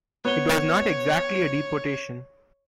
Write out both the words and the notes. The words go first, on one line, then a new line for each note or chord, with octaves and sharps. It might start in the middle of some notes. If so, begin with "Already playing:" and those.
It was not exactly a deportation.
B3 C#5 G7